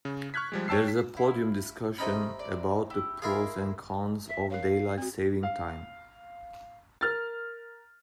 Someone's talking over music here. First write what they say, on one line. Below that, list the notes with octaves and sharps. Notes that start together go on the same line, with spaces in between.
There's a podium discussion about the pros and cons of daylight saving time.
C#3
C#6 F6 F#6 G#6 B6
F3 G3 G#3
C#5 G5 A5 E6 C7
B6
E4 F5
C3 C#4 D#4 A4 D#5 B5
D5
E4 G4
E4 F4 G#4 A#4 F5
E5
A#4 C#5 F5
C4 F#4
F5
A#4 F6 A6